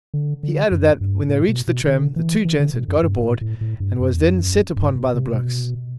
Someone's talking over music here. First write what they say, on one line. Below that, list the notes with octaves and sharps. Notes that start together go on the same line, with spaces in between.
He added that, when they reached the trem, the two gents had got aboard, and was then set upon by the blokes.
D3
D3
F#2
G2
A2
B2
B2
D3
E3
E3
D3
B2
F#2
G2
A2
A2
A2
G2
F#2
E2
F#2
G2
B2
C3
B2